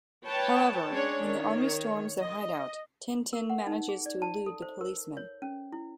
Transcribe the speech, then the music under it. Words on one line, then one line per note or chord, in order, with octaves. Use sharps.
However, when the army storms their hideout, Tintin manages to elude the policemen.
B4 C#5 G5 A5
G#3 C#4 D4 C#5
D#3 C#5
D#5
A#4
F#5
D#4
G#4
D5
A5
A4
C5
A#4
C#5
C#4
E4